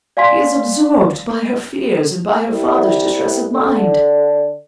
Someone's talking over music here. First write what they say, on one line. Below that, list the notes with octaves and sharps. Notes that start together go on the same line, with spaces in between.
She is absorbed by her fears and by her father's distress of mind.
D5 F5 G#5 C6 B6
C2
D3